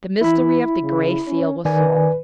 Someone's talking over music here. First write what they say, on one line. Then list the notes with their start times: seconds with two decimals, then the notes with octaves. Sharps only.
The mystery of the Gray Seal was solved!
0.21 E3 E4 B5
0.80 C#3
1.26 C#4
1.65 D#3 B4 D5 G#5